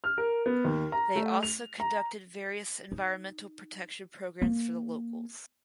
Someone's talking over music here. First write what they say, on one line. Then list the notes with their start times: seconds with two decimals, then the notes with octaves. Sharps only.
They also conducted various environmental protection programs for the locals.
0.04 F6
0.18 A#4
0.46 B3
0.65 D#2
0.92 A#5
1.16 A3
1.43 F7
1.80 A#5
2.92 D#4
4.42 A#3